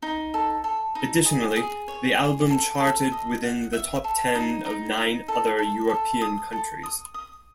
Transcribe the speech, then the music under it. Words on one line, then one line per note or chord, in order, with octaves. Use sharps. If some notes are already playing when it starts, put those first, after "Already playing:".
Additionally, the album charted within the top ten of nine other European countries.
D#4
A4
A4
D#4
G#4
G#4
C#5
G#4
A4
A4
D#5
F#5
E5
A4
D#4
D#4
D#4
A4
A4
A4
D#6
A4
D#6
D#6